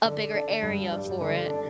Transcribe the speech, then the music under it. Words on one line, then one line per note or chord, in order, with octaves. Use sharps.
a bigger area for it,
D3
D4
G2
G3
D3
D4